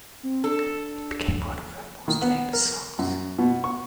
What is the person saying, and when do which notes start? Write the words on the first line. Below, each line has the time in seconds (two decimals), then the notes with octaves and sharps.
It became one of her most famous songs.
0.23 C4
0.44 D4 A4
2.08 D#3
2.22 B3
2.53 A#4
2.99 F#2
3.38 B2
3.64 C#6